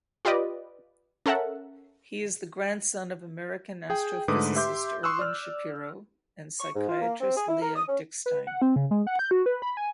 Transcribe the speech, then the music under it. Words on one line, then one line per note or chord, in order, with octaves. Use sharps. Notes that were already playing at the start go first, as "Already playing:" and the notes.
He is the grandson of American astrophysicist Irwin Shapiro and psychiatrist Leah Dickstein.
F4 G4 B4 D5 D#5
C#4 A4 A#4 E5 F#5
G#4 G5
G#2 D3 A3 B4 D6 D#6
G4 E5 C6 D6 G6
C6 C#6 D#6 E6 F#6
D5 F6
C#6
G#2
F4
A#3
C4
G#4
E4
A#4
D#6
C#4
B4
F#5
C4
C#3
G#3
F#5
G6
F#4
B4
B5
G#5